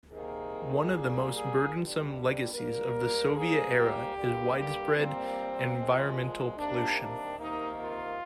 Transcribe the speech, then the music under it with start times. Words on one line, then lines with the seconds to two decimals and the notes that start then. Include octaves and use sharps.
One of the most burdensome legacies of the Soviet era is widespread environmental pollution.
0.11 C3 D#3 A#3 G#4
0.92 A#2 G3 A#3
1.32 G#4
1.73 G2 D3 G3
2.53 G#2 G3 A#3 A#4
3.34 G#2 G3 A#3 G#4
3.74 G4
4.15 G2 D3 G3 A#3
4.55 G4
4.95 A#2 G3 A#3 C4
5.77 A#2 F3 G#3
6.57 C3 D#3 G3 A#3 D4
6.97 D4
7.38 C3 D#3 A#3 D#4
7.78 F4